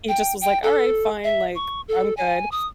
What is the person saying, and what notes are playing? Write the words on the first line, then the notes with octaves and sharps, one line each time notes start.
he just was like, "Alright, fine. Like, I'm good,"
G5
G5
A4
E5
C#6
A4
G#5
D#6